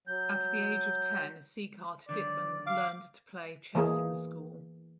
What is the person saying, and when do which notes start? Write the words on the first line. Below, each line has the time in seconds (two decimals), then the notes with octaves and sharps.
At the age of ten Sieghart Dittmann learned to play chess in school.
0.07 F#3 G6
2.09 D3 D#3 F#3 D5
2.66 F5 D6
3.75 E3 A#3 G#4